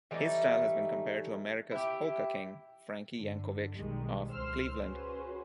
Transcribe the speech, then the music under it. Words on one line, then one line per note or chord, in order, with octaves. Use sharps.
His style has been compared to America's Polka King, Frankie Yankovic of Cleveland.
E3 G3 A3 D#4
E4 G4
G2 D3
B1 D#3 G3 G#3
C#2 C5 C6 E6 F6
C#4 F#4 G#4 B4 C5